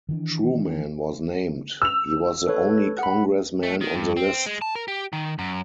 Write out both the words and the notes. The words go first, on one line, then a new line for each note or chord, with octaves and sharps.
Truman was named; he was the only congressman on the list.
D#3 E3 D4
E6 F7
A4 B4 C#5
F#5 B5
A3
D#3
G2
C4
G#3
A5
A#4
G4
D#3
F#2